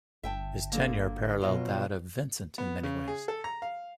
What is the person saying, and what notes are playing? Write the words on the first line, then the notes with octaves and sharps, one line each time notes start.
His tenure paralleled that of Vincent in many ways.
G1 E5 G5 A5
D3 A#3
B2 F#3 F4
B3
C#3
G#4
A4
A#5
F5